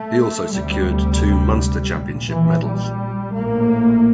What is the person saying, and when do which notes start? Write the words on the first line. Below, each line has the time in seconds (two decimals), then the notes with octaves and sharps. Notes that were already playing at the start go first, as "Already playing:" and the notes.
He also secured two Munster Championship medals.
Already playing: A3
0.52 D2 C3 G3
1.94 A#1 A#2
2.30 E3
2.65 G3
3.35 A#1 A2 A#3